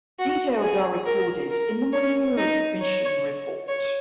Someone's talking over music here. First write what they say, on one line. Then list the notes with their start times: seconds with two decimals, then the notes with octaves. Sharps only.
Details are recorded in the Munir Commission Report.
0.19 F#4
0.62 G#4
1.06 A#4
1.50 A#4
1.93 C#5
2.37 D#4
2.82 C#5
3.68 C#5